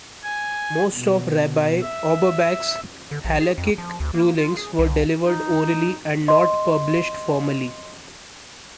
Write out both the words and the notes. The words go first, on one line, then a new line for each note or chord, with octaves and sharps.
Most of Rabbi Auerbach's halachic rulings were delivered orally and not published formally.
G#5
B2
E5
D3
A#1
G#4
F2
F3
D2
A#3
F4
G#4
C2
D#4
D#5 C6